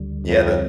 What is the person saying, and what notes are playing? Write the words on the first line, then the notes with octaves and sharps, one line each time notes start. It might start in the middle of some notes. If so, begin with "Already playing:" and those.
Yeah, the
Already playing: D2 D3 G3
F2